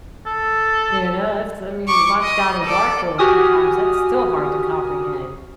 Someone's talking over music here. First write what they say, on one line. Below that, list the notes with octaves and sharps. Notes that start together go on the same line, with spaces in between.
You know, it's I mean, you watch Donnie Darko a few times, that's still hard to comprehend.
A4
C#6 D6
D#5
A4 D5
F#4 G4 G#5 D#6 F6